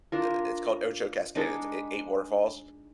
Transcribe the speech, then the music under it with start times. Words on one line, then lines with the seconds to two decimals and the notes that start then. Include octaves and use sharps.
i i it's called Ocho Casca it's eigh eight waterfalls.
0.12 D4 F4 A#4
1.36 G#3 D4 D#4